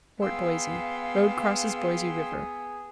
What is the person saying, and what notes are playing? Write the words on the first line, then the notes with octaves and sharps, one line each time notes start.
Fort Boise.--Road crosses Boise River.
B3 G#4 F5 G5 C6 E6